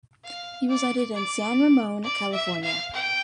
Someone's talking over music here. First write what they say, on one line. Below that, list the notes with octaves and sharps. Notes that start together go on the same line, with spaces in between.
He resided in San Ramon, California.
F5
D5
D5
D5
E5
F5
G5